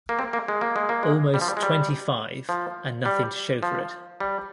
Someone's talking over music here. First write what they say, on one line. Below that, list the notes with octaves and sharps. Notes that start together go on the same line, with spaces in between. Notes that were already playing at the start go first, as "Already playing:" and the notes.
Almost twenty-five, and nothing to show for it.
A#3
C4
A#3
G#3
A#3
G#3
A#3
G#3
G3
F3
G3
G#3
G3
F3
G3
F3
G3